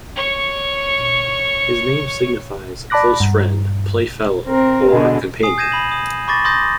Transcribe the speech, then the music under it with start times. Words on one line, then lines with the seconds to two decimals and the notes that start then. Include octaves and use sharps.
His name signifies "close friend", "play-fellow" or "companion".
0.16 C#5 C#6
2.90 D5 A5 B5 D6 F#6 A#6
3.20 G2
4.47 C4 A#4
4.90 B2 D3 G#3
5.43 G#5 D#6 C7
5.58 G6 G#6 A#6 D#7 E7
5.72 B5 F#7
5.91 D#6
6.28 B5 C#6 D6 A6 A#6
6.45 C6 D#6 G6 A#6